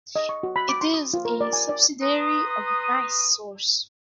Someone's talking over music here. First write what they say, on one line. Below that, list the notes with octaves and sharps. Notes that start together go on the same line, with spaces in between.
It is a subsidiary of NiSource.
D#5
C#6
F#4
B5
D6
C6
D#6
F4
A#4
D5
G#5
D5
B4 A#5 C6 D#6